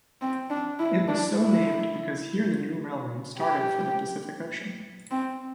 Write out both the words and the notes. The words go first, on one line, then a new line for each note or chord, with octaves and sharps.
It was so named because here the new railroad started for the Pacific Ocean.
C4
D4
E4
D4
E4
G4
C4